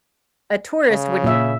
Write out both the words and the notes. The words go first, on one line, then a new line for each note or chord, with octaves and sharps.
a tourist wouldn't
C#3
A#2 E5